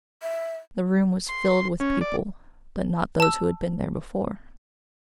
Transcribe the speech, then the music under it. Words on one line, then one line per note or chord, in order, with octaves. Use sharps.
The room was filled with people, but not those who had been there before.
E5
C6
C6
C#4
D5
A5 E6